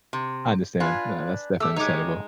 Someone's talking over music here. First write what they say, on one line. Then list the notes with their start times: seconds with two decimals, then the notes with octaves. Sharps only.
I understand. No, that's definitely understandable.
0.13 C3
0.80 D4 F4 B4 G#5
1.60 A3 G4 E6
1.76 G#3 D#4 G4 C#5